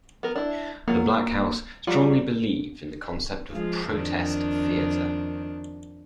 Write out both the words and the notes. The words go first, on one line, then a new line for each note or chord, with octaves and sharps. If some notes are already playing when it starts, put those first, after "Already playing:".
The Black House strongly believed in the concept of "Protest Theatre".
B3 A#4
D4 E4
F#3 A#3 F4 A#4
F#3 G3 F4
F3 G#3 F4
F2 D#3 D4